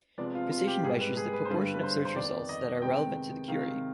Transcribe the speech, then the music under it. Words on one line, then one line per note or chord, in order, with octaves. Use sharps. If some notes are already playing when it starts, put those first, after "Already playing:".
Precision measures the proportion of search results that are relevant to the query.
C3 F3 G#3 B3 D5
F4
F4
G4
G#2 G3 B3 G#4
B4
G#4
B4
C5
G2 D3 G3 B3 B4
B4
C5
C5
F2 D#3 B3 D5
D#5
C3 D#3 G#3 B3 G5
C3 D#3 G#3 F5